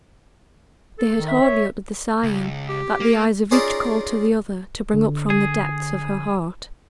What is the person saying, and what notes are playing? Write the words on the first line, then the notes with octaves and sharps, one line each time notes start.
They had hardly uttered the sighing, that the eyes of each called to the other to bring up from the depths of her heart.
A4
D#3
E5
C#5
C#2
G4
A#3
C#4 D#4 F4 G#4 A#4 D5
D3
G#4